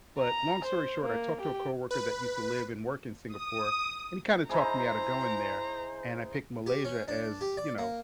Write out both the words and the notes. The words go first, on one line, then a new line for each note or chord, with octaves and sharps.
but, long story short, I talked to a coworker that used to live and work in Singapore, and he kinda talked me out of going there. And I picked Malaysia as, you know,
A#5
C5
A#3
G4
B4
D#6
D#4 E4 G#4 C5 A#5
G4
C#4
D4
G4
D5
A#3